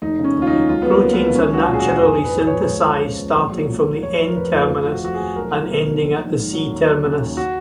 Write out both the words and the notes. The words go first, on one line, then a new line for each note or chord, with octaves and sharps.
Proteins are naturally synthesized starting from the N-terminus and ending at the C-terminus.
F1 D#4
C#3
C#4
D#2
F4
D#4
F#3
C#2 F4
F#3 B3
A#3
C#3
B3
C#2
A#1 C#4
F#3 F#4
F4
A#2 G#4
F#4
A#1
F#4
F2 G#4
F2
B4
F3
C#5
F3
C#2
F3
C#3
C#2
A#1
F#3
A#2
A#1
F1 C#5
F3 C#5
A#4
F2 B4
F1 F4
F1 F4
F3
F#4
F2 F#4
G#4
F1
B1 A#4
F#3
B2
B1
A#1
D#3
G#2
F#3
D#2
F#3
C#3
D#2
F#4